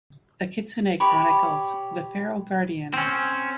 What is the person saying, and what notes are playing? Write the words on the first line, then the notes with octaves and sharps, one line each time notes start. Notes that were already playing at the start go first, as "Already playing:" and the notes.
The Kitsune Chronicles: The Feral Guardian.
G4 C#5 B5
C4 C#4